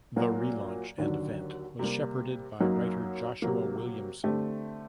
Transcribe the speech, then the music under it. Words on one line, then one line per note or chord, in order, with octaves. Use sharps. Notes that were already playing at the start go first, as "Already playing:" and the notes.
The relaunch and event was shepherded by writer Joshua Williamson.
A#2 F#3 A#3 F#4
D#2 D3 F#3
C3 G3 A#3
F#2 F#3 A#3 D#4
C3 F#3 A#3
D3 A3 C4 G4